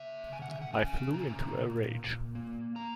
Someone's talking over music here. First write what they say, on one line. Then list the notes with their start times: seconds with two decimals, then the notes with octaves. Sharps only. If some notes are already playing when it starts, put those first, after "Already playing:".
I flew into a rage.
Already playing: C#3 A#3 E5
0.32 C#3 G#5
0.42 F#5
0.52 E5
0.62 F#5
0.73 C#3 G#5
1.13 A#2 A#5
1.54 A#2
1.95 A#2
2.35 A#3
2.76 A#3 A#5